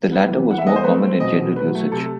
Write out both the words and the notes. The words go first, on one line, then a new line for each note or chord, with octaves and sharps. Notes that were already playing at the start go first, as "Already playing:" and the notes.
The latter was more common in general usage.
B3
E3
E3 F#5
E5
B3 D#5
C5
A3 B4
C4
B2 D#5
B2
F#3 B4
A3
C3 A4